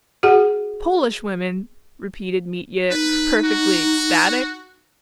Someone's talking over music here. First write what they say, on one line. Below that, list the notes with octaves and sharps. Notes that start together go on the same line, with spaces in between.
"Polish women?" repeated Mitya, perfectly ecstatic.
F#4 G#4 F#5
D#4 B4
F#4